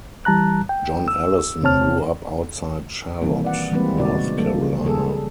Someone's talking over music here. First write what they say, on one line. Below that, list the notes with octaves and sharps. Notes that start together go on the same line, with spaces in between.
John Allison grew up outside Charlotte, North Carolina.
E3 G3 A5 A#5 F#6
G5
E6
E2 C3 C4 C#5 A5 F6
B2 D#3 E3 G3 A#3 C4
D5 F#5
E3 G3 G#3 A#3 C4 B4
A#2 C#3 G#3 D#4 F#4 D5
F3 G3 A#3 A4
C#3 G3 G#4 A4